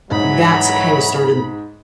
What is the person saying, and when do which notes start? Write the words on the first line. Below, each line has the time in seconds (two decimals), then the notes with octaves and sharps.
that's kinda started,
0.11 G#2 E3 F#3 B5